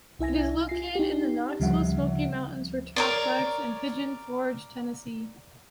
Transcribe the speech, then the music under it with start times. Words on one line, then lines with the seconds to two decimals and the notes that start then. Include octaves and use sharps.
It is located in the Knoxville-Smoky Mountains metroplex in Pigeon Forge, Tennessee.
0.19 C2 E4 E5 G#5 A#6
0.69 F4 C7
0.95 D#4 G4
1.60 D2 C#3 F3 G3 E5 F#5
2.96 A#4 C#5 D5